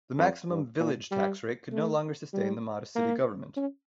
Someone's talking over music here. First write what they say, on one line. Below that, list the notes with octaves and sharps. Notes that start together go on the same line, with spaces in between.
The maximum "Village" tax rate could no longer sustain the modest city government.
F2
G2
A#2
G3
A3
G3
A#3
C#4